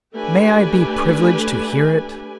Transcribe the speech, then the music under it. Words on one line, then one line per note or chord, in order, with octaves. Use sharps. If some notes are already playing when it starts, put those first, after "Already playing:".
May I be privileged to hear it?
A3 D4 G4 B4 G#5